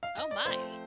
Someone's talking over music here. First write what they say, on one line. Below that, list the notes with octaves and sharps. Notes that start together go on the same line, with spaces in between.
Oh my!
F5
D#5
D5
F3 A3 C4 C5